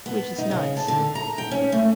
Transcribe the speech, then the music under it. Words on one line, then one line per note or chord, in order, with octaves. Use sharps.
Which is nice.
B3
D#4
C#3
A5
D3
A#5
G5
C#4
A3